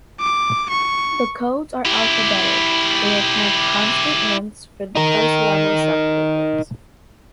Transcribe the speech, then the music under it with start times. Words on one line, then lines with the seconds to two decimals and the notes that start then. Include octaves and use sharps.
The codes are alphabetic and have constant length for the first level subdivisions.
0.20 D6
0.70 C#6
1.85 E4 G4
4.95 D#4 A#4